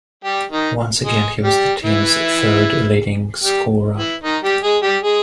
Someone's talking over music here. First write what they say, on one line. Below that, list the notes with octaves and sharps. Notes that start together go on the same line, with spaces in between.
Once again, he was the team's third-leading scorer.
G3 G4
D#3 D#4
G#3 G#4
G3 G4
E3 E4
G3 G4
E3 E4
D#3 D#4
G3 G4
G#3 G#4
G3 G4
G#3 G#4